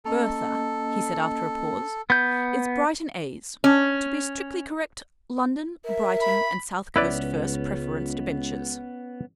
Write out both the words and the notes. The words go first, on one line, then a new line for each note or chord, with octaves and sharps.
'Bertha,' he said, after a pause, 'is Brighton A's--to be strictly correct, London, Brighton, and South Coast First Preference Debentures.
A#3 C#4 A4 D#5
B3 G6
C#4
A#4 E5
B5
C#2 B3 C#4 E4 B4 D5